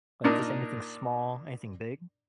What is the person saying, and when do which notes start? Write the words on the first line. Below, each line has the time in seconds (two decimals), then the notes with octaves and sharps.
Like, just anything small, anything big?
0.24 A#2 D4 D#4 A#4